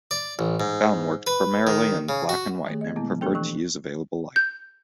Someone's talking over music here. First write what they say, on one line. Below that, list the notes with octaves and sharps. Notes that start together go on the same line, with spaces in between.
Bown worked primarily in black-and-white and preferred to use available light.
D5
A1
G#2
B4
D#3
C#3
F#4
D#3 A3 G4 G#4
D#5 G#6
B2 G#3 A#3 B3 E4
D3 F3
A3 D4 G4 A4 C5 G5
E3 C#6 F#6
G6